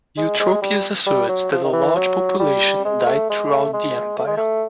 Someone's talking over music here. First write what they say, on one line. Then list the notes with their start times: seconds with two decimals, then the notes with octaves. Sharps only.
Eutropius asserts that a large population died throughout the Empire.
0.18 G#3
0.40 G#3
0.62 G3
1.06 G3
1.29 F#3
1.52 F3
1.64 D#3
1.73 E3
1.96 F#3
2.40 G3
2.85 G#3
3.06 A3
3.30 G#3
3.52 A3
3.73 G#3
4.18 A3
4.27 G#3
4.37 A3